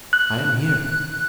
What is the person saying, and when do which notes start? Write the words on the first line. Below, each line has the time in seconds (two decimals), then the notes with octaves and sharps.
I am here.'
0.13 F#6